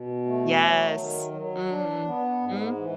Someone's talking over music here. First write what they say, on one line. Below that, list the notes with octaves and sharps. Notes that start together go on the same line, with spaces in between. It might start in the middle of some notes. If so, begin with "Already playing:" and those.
Yes. Mm-mm hmm.
Already playing: B2
A3
F#3
D#3
F#3
D4
B3
G#2
E3